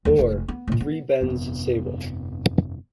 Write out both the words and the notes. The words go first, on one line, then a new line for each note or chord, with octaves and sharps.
Or, three Bends Sable.
D#2 F#3
F1 D#4
B3
E1 A#2
B3
G1 F2 C3 B3